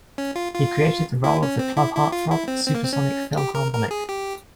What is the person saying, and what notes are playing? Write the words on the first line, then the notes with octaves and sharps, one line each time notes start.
He created the role of the club heart-throb, Supersonic Phil Harmonic.
C#4
F4
F4
E4
C#4
C4
E4
E4
F4
E4
C4
C4
A#3
C4
C#4
G4
A#4
A#4
G#4
G4